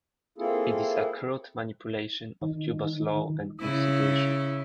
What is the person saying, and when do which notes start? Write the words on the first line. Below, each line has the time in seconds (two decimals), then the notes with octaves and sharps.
It is a crude manipulation of Cuba's laws and Constitution.
0.38 A#3 C4 E4 F4 G#4 A4
2.42 D#3
3.60 C#3 E4